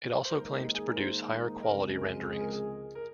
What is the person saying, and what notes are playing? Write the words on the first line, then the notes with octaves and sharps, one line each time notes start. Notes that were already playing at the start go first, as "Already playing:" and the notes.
It also claims to produce higher quality renderings.
C5
G#2 D#3 A#3 D#4 A#4
G4
G#4
A#4
C5
C#2 C3 F3 G#3 A#4
A#4
G#4
A#4
G#4
A#4